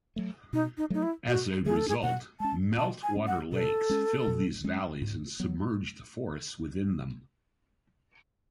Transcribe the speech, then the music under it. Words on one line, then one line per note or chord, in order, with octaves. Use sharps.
As a result, meltwater lakes filled these valleys and submerged forests within them.
F#3 A3
B2 D#4
D#4
F#3 A3 D#4
E4
B2 F#4
F#3 A3 G#4
A4
G#4
B2 F#5
G#3 C#4 A5
B2 A5
G#5
G#3 C#4
F#5
B2 A4
G#3 C#4
B2
G#3 C#4
G#2
F#3 B3